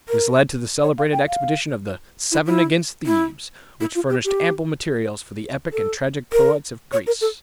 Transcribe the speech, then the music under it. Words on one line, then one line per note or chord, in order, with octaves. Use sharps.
This led to the celebrated expedition of the "Seven against Thebes," which furnished ample materials for the epic and tragic poets of Greece.
A#4
C#5
F5
G5
F5
E4
E4
E4
E4
F4
G4
G4
A4
A#4
C#5
A#4
A4